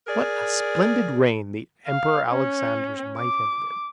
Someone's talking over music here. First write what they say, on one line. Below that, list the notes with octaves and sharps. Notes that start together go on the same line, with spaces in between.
"What a splendid reign the Emperor Alexander's might have been!"
G#4 A#4 D5
F5
C#4
D6